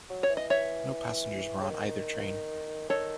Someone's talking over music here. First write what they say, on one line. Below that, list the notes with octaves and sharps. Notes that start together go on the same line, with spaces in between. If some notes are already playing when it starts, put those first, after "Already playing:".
No passengers were on either train.
F#3
C#5
E3
D#5
C#5 E5
C#3
D#3
D#3 A4 C#5